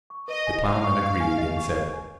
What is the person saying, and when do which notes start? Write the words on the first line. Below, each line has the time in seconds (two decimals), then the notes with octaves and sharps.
The ploughman agreed and said.
0.10 C#6
0.28 B4 D#5
0.47 G#5
0.65 D#5 F5
0.84 C#6
1.02 B4
1.20 G#5
1.38 D#5
1.57 C#6
1.75 B4
1.93 G#5